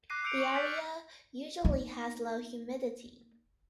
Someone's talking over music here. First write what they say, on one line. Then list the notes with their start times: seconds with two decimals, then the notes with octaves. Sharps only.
The area usually has low humidity.
0.10 D6 F#6 A#6 C7 D#7
0.23 D6 E6 G6 C#7 D7 F7
0.38 C#6 F7 F#7
0.54 F6 G6 A6 B6
0.65 F6
1.65 A#3 D#4